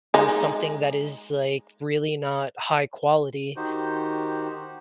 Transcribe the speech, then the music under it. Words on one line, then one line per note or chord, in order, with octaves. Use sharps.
something that is, like, really not high quality.
G#3 D#4
D#3 D#4 F#4 G4 C5